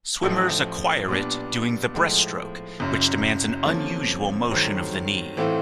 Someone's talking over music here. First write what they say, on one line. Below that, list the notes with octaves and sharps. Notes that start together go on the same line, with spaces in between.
Swimmers acquire it doing the breaststroke, which demands an unusual motion of the knee.
A1 A2 F3
A#2 G3 B3 D4
A2 F3 G#3
F#1 F#2 C#3
D2 C3 F3 A#3 C#4
G2 D#3 F#3 A3 C4
A2 E3 A3 C4 F4